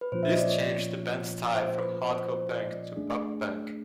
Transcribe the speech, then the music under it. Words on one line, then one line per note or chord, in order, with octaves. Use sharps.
This changed the band's style from hardcore punk to pop punk.
B4
A#2 F3 A#3 C#4 F4 C5
E5
D#5
D5
C#5
C5
B4
C5
C5
D#5
D5
A3 D4 G#4